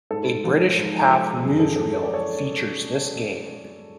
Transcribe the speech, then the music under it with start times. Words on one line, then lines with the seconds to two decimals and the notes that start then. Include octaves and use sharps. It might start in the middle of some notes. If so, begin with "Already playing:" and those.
A British Pathe newsreel features this game.
0.11 G#2 A4
0.44 F3
0.76 G#2
1.10 F3
1.43 F#2 G#4
1.60 A4
1.76 F3 A4
1.93 C#5
2.03 D5
2.14 A4 C#5